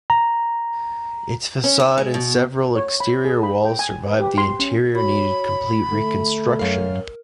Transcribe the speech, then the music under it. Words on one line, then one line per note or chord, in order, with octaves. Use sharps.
Its facade and several exterior walls survived; the interior needed complete reconstruction.
A#5
C#4
E4
G#3
B2
C#5
B5
G#4
B5
G5
G#5
B4
G4
C6
C#4
F#4 C#5 B5
D3 A3
F#2 A#4 F5